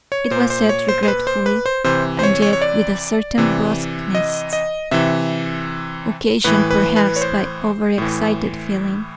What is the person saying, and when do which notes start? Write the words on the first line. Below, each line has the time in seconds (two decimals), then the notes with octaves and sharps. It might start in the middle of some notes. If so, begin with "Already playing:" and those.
It was said regretfully, and yet with a certain brusqueness, occasioned perhaps by over-excited feeling.
0.12 C#5
0.31 A#2 C5
0.50 C5
0.69 C#5
0.89 C5
1.03 C5
1.08 B4
1.27 C5
1.46 B4
1.66 C5
1.84 C3 E3 C5
2.19 C5
2.23 C#5
2.42 C#5
2.53 C#5
2.62 D5
3.38 C3 E3
4.15 D#5
4.53 D#5
4.91 C3 E3 E5
6.44 A2 E3 B4
6.71 B4
6.96 B4
7.16 C#5
7.21 C5
7.98 A2 E3